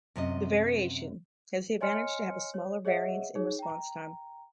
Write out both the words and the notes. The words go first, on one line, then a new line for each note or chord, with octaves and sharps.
The variation has the advantage to have a smaller variance in response time.
F#2 C3 F4 D#5
C#5 D#5 G#5 C6 F6 C#7
C#5
G#4 C#5 D#5 E5 F#5
D#4 G#4 C#5
G5 A#5